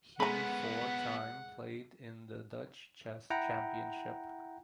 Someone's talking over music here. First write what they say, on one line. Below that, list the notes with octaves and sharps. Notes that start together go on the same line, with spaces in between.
He four time played in the Dutch Chess Championship.
G#3 A3 B3 C#4 F#5 A#5 B5
E4 F#5 G5 A#5